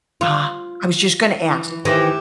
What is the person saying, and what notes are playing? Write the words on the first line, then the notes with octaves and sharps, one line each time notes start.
Ah, I was just gonna ask.
F4
E3
D#3 E3 G4 E5